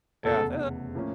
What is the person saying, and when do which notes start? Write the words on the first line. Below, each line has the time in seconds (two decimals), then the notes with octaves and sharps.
Yeah, i
0.24 F1 E2 C#3 A4
0.95 A2 F3 A#3 C#4